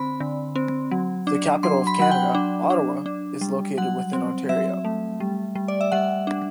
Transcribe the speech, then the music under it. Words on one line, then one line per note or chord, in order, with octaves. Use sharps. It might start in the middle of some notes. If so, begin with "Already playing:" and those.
The capital of Canada, Ottawa is located within Ontario.
Already playing: D3 C4 B5
D3
C4
F#3
D4
F#3 C6
B5
F#3 F#5
G5
D4
D4
D4
G3
F#3 F#5
C4
F#3 E5
A3
G3
G3
D5
E5
G3 F#5
D4